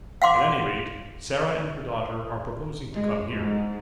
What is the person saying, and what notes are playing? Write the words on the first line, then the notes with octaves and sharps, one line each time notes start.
"At any rate, Sarah and her daughter are proposing to come here."
F5 F#5 C6 D6
G#3
G#2